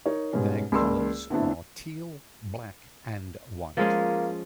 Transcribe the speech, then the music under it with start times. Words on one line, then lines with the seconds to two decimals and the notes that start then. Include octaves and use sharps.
Their colours are teal, black and white.
0.06 D#4 A#4 C#5
0.33 G#2 B2 G3 C#4
0.72 C#2 A#3 A#4 D5 C6 E6
1.30 D3 A3 B3 C4 D4 E4
3.77 F3 G#3 A#3 C#4